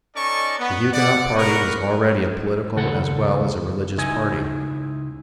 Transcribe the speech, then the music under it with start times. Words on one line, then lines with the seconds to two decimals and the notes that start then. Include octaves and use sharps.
The Huguenot party was already a political as well as a religious party.
0.15 C#4 D#4 A4 D5 D#5 C#6
0.59 B3
0.93 D5 F#5
1.36 A#4 B4 C#6
2.76 D#2 C#3 A4 F#5
3.98 C#2 D#4 E4 G#5